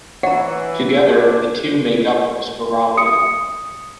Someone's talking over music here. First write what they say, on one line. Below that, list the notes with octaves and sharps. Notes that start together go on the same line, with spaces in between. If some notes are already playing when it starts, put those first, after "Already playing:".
Together the two make up the Spiralia.
E3 C#5 F#5 A#5
D3 F3 D4
D#6 C#7